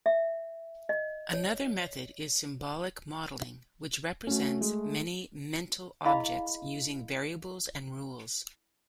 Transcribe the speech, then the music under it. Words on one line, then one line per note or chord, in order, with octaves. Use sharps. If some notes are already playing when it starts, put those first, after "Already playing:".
Another method is symbolic modeling, which represents many mental objects using variables and rules.
E5
D#5
C#5
A3 C#4 F#4
G#3
E4 G#4 D#5 F5 B5